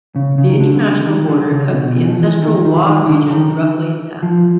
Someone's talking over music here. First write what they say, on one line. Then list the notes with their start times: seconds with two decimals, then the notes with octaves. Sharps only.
The international border cuts the ancestral Wa region roughly in half.
0.16 C#3
0.38 C#3
0.49 D#3
0.60 D3
0.84 D3
1.06 D#3
1.29 D3
1.51 C#3
1.73 B2
1.97 E3
2.09 F3
2.20 E3
2.42 D#3
2.65 D#3
2.86 D#3
3.09 D3
3.33 D#3
4.23 F3